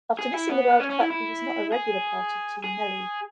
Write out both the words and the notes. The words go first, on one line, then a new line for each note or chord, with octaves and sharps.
After missing the World Cup, he was not a regular part of Team Melli.
G#4
E4
B3
C#4
C#4
E4
E4
G#4
G#4